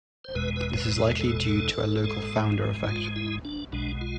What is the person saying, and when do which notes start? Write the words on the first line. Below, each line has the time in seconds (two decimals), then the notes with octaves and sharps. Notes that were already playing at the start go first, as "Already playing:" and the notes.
This is likely due to a local founder effect.
0.24 C5
0.35 E2 B2 G#3 B4
0.56 B4
0.77 B4
0.98 A4
1.19 A4
2.04 G#2 G#3
2.84 E4
2.89 F4
3.16 E4
3.45 D4
3.72 B1 B2 G#3 D4
4.01 F4